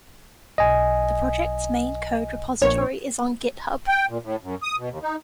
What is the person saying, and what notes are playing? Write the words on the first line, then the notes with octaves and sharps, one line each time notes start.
The project's main code repository is on GitHub.
B1 D#5 G#5
A#1 A#3 C#5
G5
A#2
A2
F#2
D#6
B2
D#2
D#4